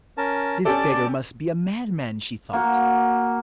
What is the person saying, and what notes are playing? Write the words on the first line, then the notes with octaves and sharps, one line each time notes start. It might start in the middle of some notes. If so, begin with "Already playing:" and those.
This beggar must be a madman, she thought.
C#4 A#4 A5
C#4 G4 A4 D5 A5 D6
A#3 F#4